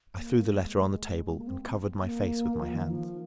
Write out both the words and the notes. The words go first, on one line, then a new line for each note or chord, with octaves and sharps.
I threw the letter on the table, and covered my face with my hands.
A#3
G#3
A#3
C4
A#3
F3
D#3
F3